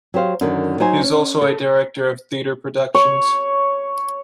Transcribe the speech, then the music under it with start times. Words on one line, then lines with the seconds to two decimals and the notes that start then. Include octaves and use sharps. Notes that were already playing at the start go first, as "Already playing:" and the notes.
He is also a director of theater productions.
0.14 F#3 G4 C5 F5
0.41 F#2 D3 D#3
0.80 F#3 D#4 C5 G#5
1.04 C#4
1.41 A4
2.95 C#5